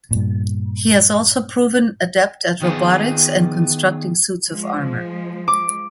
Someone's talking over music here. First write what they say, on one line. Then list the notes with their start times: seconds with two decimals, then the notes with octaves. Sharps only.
He has also proven adept at robotics and constructing suits of armor.
0.11 G2 A#2
2.62 D#3 B3 F4 G#4
4.47 F3 G#3
5.48 D6